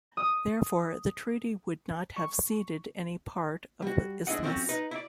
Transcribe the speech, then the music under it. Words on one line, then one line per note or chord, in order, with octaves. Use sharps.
Therefore, the Treaty would not have ceded any part of the isthmus.
D#6
C#6
G3 F#4
G#3 D4 E4 D#5 F#5
F3 A3 C4 C#4 F4 F#4
D#4 B4
E4 D5